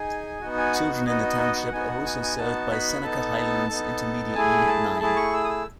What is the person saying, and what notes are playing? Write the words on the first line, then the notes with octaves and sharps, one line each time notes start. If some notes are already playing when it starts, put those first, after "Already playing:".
Children in the township are also served by Seneca Highlands Intermediate Unit Nine.
Already playing: D#4 G#4 G#5
B3 D#4 F#4
G#5
F#5
B3 D#4 F#4 D#5
D#5
D#5
F#5
B3 D#4 F#4 G#5
F#5
G#5
G#5
B3 D#4 F#4 A5
B5
B3 D#4 A4 A5
B3 D#4 A4
A3 E4 G#4 G#5
A5
A3 E4 G#4 A5
C#6
E6
D#6
E6